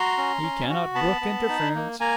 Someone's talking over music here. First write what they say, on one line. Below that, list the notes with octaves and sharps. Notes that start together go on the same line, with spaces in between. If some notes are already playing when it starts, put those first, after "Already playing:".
He cannot brook interference.
Already playing: F#4 A#5 C6
C#4
C#4
F#4
B3 A5 B5
B3
D#4
A#3
A#3 G#5 A#5